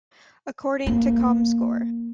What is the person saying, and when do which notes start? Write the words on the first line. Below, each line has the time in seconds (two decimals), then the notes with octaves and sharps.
According to comScore.
0.87 A#3